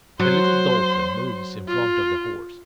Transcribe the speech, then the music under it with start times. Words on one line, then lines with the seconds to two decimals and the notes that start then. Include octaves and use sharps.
The little Dolphin moves in front of the Horse.
0.20 F#3 C5 C6
1.68 F4